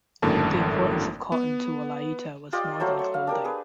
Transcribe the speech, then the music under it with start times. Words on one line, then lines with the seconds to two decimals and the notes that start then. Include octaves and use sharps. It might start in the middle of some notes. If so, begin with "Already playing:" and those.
The importance of cotton to Wolaita was more than clothing.
0.22 G#1 F#2 A2 D3 A#3 A5
1.32 B3
2.53 F4 G4 D5 D#5
2.79 F#3 A3 C5 F#5
2.99 C#6
3.14 F5
3.27 D4 G4 A#4
3.44 G#4 B4